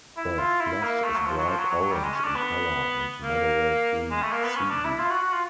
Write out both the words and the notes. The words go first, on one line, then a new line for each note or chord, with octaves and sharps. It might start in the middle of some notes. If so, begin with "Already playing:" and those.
The flesh is bright orange in color and moderately seedy.
E4
F4
E4
A#3
A3
F#3
F3
F#3
F3
F#3
F#3
F#3
G3
G#3
C#4
D4
B3
A#3
G#3
A3
A#3
B3
C#4
D4
E4
F4
F#4
F#4
F4